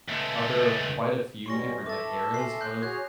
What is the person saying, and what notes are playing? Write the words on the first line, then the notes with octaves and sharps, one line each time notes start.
are there quite a few different, like, eras of
C#2 A3
B2 G3 C#4 C6 C#6 A#6
A4 E5 D6 A6
G#5 C6 C7
C6 F#6 G6
F#4 G#4 C#5 F#6 G#6